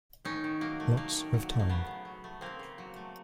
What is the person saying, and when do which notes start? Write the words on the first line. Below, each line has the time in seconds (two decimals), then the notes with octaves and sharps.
Lots of time.
0.25 D#3 C#4 D#4
0.44 D#3
0.61 F#3 A#3
0.80 A3
0.97 D#3 A#3
1.16 D#3
1.34 F#3
1.51 A3
1.59 A#3
1.69 C#3 B3
1.87 C#3
2.05 F#3
2.24 A3
2.41 C#3 A#3 C4
2.59 C#3
2.78 F#3
2.96 A3